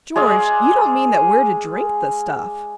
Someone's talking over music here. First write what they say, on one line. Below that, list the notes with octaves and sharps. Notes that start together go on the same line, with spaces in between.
"George, you don't mean that we're to drink the stuff?"
G#3 G#4 D5 F5